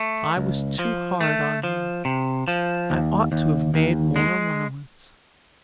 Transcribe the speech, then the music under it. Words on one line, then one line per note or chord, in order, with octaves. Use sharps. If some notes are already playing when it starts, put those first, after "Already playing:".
I was too hard on you--I ought to have made more allowance.
Already playing: A3
C#2
F3
A3
F3
C3
F3
D#2
D#2
D#2
G#3